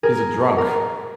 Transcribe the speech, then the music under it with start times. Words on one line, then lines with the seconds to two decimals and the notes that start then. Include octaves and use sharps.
He's a drunk.
0.03 G#4 A#4
0.58 A#4